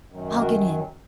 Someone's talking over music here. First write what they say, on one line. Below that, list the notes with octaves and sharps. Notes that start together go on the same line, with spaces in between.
I'll get in.
F#2 D#3 F#3
F#4 A#4